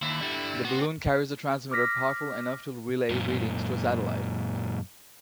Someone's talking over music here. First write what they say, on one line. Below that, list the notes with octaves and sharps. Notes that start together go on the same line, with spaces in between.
The balloon carries a transmitter powerful enough to relay readings to a satellite.
D#2 E4
D3 G3
B3 C4 F#4
D6 F6 A#6 B6
F#2 A#2